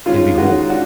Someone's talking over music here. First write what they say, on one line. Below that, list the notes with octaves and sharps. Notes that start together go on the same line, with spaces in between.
And behold!
D#3 G#3 C#4 F4
D#3 G#3 C#4 F#4
D4 F#4